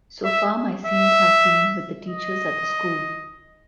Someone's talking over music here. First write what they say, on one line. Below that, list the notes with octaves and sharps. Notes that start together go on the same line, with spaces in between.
So far my scenes have been with the teachers at the school.
E5
E5
D#5